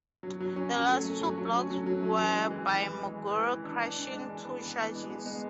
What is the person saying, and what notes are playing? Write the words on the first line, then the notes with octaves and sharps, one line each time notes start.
The last two blocks were by Maguire, crushing two Chargers.
F#3
F#3
C#4
F#3
A3
A3
F#3
F#3
C#4
F#3
F#3
C#4
E3
G#3
E3
E3
E3
G#3
E3
E3
E3
D4
D4
D4
G#3
E3
B3
E3
E3
G#3
B3
G#3